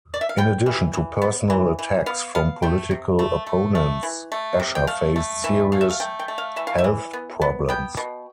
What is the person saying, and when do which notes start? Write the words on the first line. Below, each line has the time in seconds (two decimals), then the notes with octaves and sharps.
In addition to personal attacks from political opponents, Escher faced serious health problems.
0.14 D5
0.21 E5
0.29 F5
0.38 B3 G5
0.66 E3
0.93 E3
1.22 B3
1.50 E3
1.79 E3
2.06 B3 F5
2.35 B3 F5
2.62 A3 G5
2.91 C3
3.19 A3
3.47 A3
3.75 A3
4.03 E3
4.32 A3
4.60 C3
4.75 G5
4.87 A3 F5
5.16 A3
5.44 E3 E5
5.72 A3 F5
5.81 E5
5.90 F5
6.00 A3 G5
6.19 G5
6.28 A3
6.38 F5
6.56 E3 E5
6.67 F5
6.78 E5
6.84 E3
7.13 B3
7.42 B3
7.69 B3 G5
7.97 B2